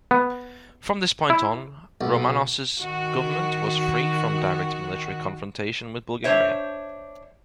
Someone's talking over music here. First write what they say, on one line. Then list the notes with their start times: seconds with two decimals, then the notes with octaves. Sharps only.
From this point on, Romanos' government was free from direct military confrontation with Bulgaria.
0.11 B3
1.30 E4
2.01 B1
2.79 D#3 F#4
6.24 D4 C5 C#5 E5